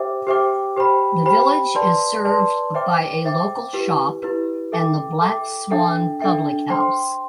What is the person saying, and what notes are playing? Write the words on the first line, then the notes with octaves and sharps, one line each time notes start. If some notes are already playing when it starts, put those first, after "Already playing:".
The village is served by a local shop and the Black Swan public house.
Already playing: G4 C5 E5 G5 D6
G4 C5 E5 G5 D6
G4 C5 G5 B5
G4 C5 G5 B5
B4 D5 A5 C6
B4 D5 A5 C6
C5 E5 G5 D6
C5 E5 G5 D6
E4 G4 B4
E4 G4 B4
A4 E5 G5 D6
A4 E5 G5 D6
D4 A4 E5 G5
D4 A4 E5 G5
C5 G5 C6